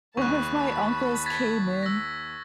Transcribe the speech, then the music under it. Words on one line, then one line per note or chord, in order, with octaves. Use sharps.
one of my uncles came in
D#2 A5 B5 C#6 F#6
G#6 A6 B6
E6 A#6